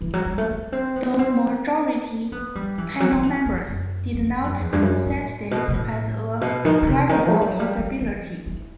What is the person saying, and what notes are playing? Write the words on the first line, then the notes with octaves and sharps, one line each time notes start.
The majority panel members did not cite this as a credible possibility.
E3
F#3
G3
A3
B3
C4
B3
C4
B3
G3
E3
F#3
F#3
E3
F#2
F#2
F#2
G2
F#2
E2
G2
F#2
A2
B2
B2
A2
B2
D#3
D#3
C3
D#3
A3
G3
F#3
G3
G3
E3
E3